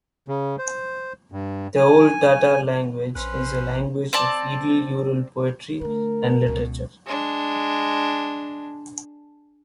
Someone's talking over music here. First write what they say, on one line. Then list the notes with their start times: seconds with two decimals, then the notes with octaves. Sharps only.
The Old Tatar Language is a language of Idel-Ural poetry and literature.
0.28 C#3
0.59 C5
1.32 G2
1.76 G#5
3.15 A#1 C#4 B4 C5
4.13 C4 D5 A5
5.81 D3 A3 A#4
6.47 C#2 B2
7.06 G#3 D4